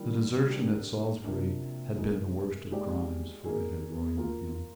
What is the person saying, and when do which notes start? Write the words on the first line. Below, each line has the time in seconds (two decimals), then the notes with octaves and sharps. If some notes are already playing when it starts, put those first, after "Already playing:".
The desertion at Salisbury had been the worst of crimes; for it had ruined him.
Already playing: D#3 G3 A#3 D4 F4
0.50 A#3 D4 G4
1.24 C3 F3 A#3 D4
1.97 G#3 D#4 A#4
2.70 G#3 D#4 G4 D5
3.44 A#3 D#4 G#4
4.17 A#3 F4 A#4